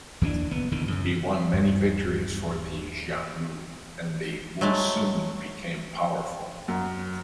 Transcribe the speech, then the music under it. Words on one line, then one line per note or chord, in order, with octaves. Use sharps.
He won many victories for the Xiongnu and the Wusun became powerful.
D#2 E3 C#4 D4
F#1 B3
D#1 E2 D3 D#3
F#2 C#3
D#1 G2
F#3 G#3 A3
F#2